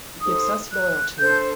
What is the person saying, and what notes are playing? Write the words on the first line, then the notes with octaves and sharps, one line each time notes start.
He gives us loyalty.
D#4 A4 C5 D#6
F#6
D4 A4 C5 G6